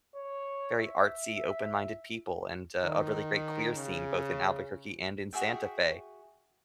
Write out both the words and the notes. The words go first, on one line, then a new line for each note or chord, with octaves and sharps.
very artsy, open-minded people, and a really great queer scene both in Albuquerque and in Santa Fe,
C#5
E5
E5
D#3
C#3
F#4 G#4 E5 G5